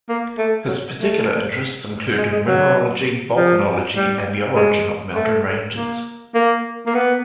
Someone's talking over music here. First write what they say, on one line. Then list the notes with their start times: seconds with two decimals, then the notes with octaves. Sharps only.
His particular interests included mineralogy, volcanology, and the origin of mountain ranges.
0.09 A#3
0.38 A3
0.68 F#3
0.98 A3
2.18 G#3
2.32 G#3
2.47 F#3
3.37 F3
3.96 G3
4.56 G#3
5.16 A3
5.75 A#3
6.35 A#3
6.87 A#3
6.94 B3